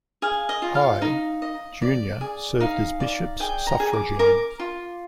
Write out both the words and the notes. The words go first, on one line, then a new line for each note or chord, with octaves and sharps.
High, Junior served as bishops suffragan.
G#4 F5
D#5
F4
F5
D#4
D#5
D5
G#4
D#4 F5
D5
G#4 G5
A#5
G#4
D6
A#4 D6
F4